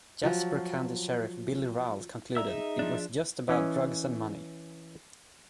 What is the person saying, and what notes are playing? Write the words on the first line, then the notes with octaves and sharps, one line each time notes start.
Jasper County Sheriff Billy Rowles concluded, It was just about drugs and money.
F3 F#3
D5 E5 A#5 E6
D#4 G#4
F3 D4
E3 C#4 D#5